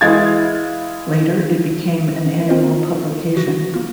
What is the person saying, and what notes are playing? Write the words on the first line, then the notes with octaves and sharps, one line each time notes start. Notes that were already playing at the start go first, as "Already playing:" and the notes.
Later, it became an annual publication.
E3 G#3 E4 F5 G#6 A6
A#3 C4 F4 A#4 C5 D#5
C#3 E3 F#4 A#6
A#3 F4